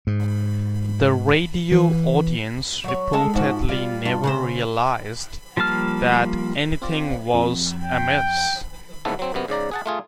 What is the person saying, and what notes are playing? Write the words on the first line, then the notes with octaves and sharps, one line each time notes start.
The radio audience reportedly never realized that anything was amiss.
G#2
E3
F#3 C#5
G#3 A4
G#2 F3 F#4
G3 F4 D5
G2 F4
C#3 B4 C5
F3 G3 A#3 A5 F6
C4 F4 D5
F2
G5
C2 G#2 C#3 A3 B3 A4
F#3 C4
F#2 C3 B3
G#2 C#3 D5 A#5
G#4 F#5 A5
A3 F4 G#4